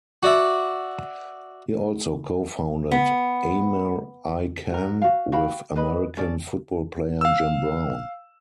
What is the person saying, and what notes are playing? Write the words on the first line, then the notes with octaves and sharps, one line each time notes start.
He also co-founded Amer-I-Can with American football player Jim Brown.
F#4 D5 E5
B3
F#4 A#4
F#4 F5
F#4 F5 G5 B5
G#4 B4 D#5 B5
C#4 G#4 A4 D5
F5 E6